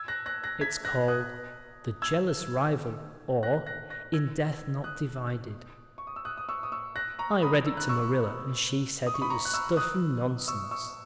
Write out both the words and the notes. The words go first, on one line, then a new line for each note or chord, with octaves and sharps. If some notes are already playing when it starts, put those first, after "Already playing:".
It's called 'The Jealous Rival; or In Death Not Divided.' I read it to Marilla and she said it was stuff and nonsense.
Already playing: E6 G#6
F#6 A#6
F#6 A#6
F#6 A#6
G#6 B6
F#6 A#6
D#6 F#6
E6 G#6
F#6 A#6
F#6 A#6
F#6 A#6
E6 G#6
D#6 F#6
C#6
D#6
E6
D#6 F#6
D#6
C#6 E6
D#6
C#6 E6
F#6 A#6
A#5 C#6
B5 D#6
E6
F#6
C#6 E6
D#6
C#6
B5 D#6
A#5 C#6
F#6
C#6 E6
D#6 F#6
C#6 E6
C#6 E6